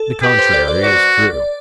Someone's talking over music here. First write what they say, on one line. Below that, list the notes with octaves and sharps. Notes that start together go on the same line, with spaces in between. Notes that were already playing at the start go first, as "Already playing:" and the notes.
The contrary is true.
Already playing: A4
G4 B4
C5
D5
D5
F#4 D5